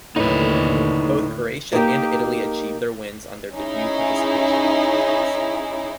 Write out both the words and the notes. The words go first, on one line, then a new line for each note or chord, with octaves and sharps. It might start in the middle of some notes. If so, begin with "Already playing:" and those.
Both Croatia and Italy achieved their wins on their debut participation in the contest.
D#2 A2 D3 D#4 B4
A#3 D#4 G4
C#4 D#4 E4 G#4